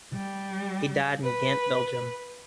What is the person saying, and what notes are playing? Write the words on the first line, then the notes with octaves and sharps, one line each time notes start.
He died in Ghent, Belgium.
G3
B4